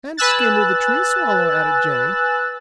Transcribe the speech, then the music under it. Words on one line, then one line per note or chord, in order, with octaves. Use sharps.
"And Skimmer the Tree Swallow," added Jenny.
B4 G#5 E6 F#6 A6